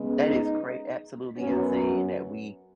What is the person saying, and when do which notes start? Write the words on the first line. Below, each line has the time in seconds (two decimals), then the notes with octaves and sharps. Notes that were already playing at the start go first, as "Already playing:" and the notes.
That is cra absolutely insane that we
Already playing: C#3 G#3 B3
0.18 D#4
1.37 F#2 F#3 B3 C#4